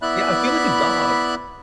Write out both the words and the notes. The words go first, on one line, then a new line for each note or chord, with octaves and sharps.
Yeah, I feel like a dog.
B3 E4 D5 E5 B5 F#6